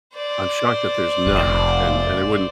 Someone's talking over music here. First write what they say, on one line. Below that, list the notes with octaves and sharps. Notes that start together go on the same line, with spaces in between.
I'm shocked that there's not, and and it wouldn't
C5 D5
F1